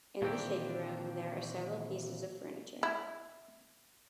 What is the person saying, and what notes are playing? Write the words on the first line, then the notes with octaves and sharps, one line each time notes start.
In the Shaker room there are several pieces of furniture.
A#2 D#3 E3 C4 D4 G4
E4